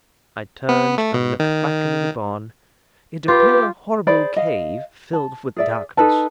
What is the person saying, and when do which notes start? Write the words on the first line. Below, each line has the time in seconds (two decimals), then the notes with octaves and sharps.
I turned and looked back into the barn. It appeared a horrible cave filled with darkness.
0.69 B3
0.98 A3
1.14 B2
1.40 D#3
3.28 F4 G4 B4
4.07 G#4 C5 D5 B5
4.36 D#5 F5
5.13 A5
5.56 G#4 D5 E5
5.97 D#4 A4 B4 A5